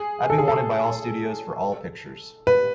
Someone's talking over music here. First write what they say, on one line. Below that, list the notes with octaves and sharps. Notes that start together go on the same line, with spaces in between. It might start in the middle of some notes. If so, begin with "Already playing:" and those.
I'd be wanted by all studios for all pictures.
Already playing: G#4
A4
G#4
A4
B4